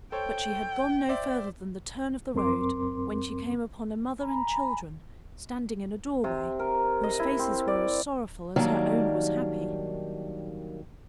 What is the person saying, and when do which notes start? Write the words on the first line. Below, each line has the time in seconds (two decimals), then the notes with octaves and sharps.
But she had gone no farther than the turn of the road when she came upon a mother and children, standing in a doorway, whose faces were as sorrowful as her own was happy.
0.12 A4 C5 C#5 G5
1.09 C5 D5 E5
2.34 F#2 C4 A#4 C6 D6
4.21 G#5 A#5 B5
6.24 C3
6.59 A#4
7.03 D#5
7.20 E4
7.39 C4
7.68 D5
8.56 D#3 F#3 G3 A#3 D4